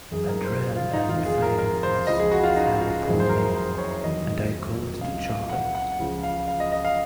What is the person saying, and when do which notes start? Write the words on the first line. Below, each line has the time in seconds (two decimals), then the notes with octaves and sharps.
A dread and faintness fell upon me, and I called to Charley.
0.11 F#1 F#2 C#3 F#3 G#4
0.28 A#4
0.45 C5
0.76 F4
0.93 D#4
1.09 F1 F2 D#3 F4
1.26 G#4
1.42 A#4
1.58 A#4
1.83 C5
2.07 C#2 C#3 F3 D#5
2.20 G#4
2.32 F#4
2.43 F4
2.56 D#4
2.81 F4
3.05 F#1 F2 D#3 F#3 G#4
3.20 C5
3.29 A#4
3.54 C5
3.78 C#5
3.94 C#5
4.03 F1 D#2 D#3 F#3 D#5
5.01 C#2 C3 F#3 F5
5.25 F5
5.49 F#5
5.75 F#5
5.99 C#2 C#3 F3
6.23 F5
6.48 F5
6.60 D#5
6.72 D#5
6.85 F5